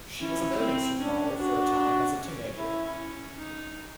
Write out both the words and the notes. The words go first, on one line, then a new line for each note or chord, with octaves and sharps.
She was a bathing suit model for a time as a teenager.
C#4 E4
C4
C#4 D4
D4 F#4
C#4
E4
D#4